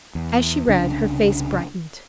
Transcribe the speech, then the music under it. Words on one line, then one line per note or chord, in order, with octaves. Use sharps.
As she read, her face brightened.
E2
C2 C#3 D4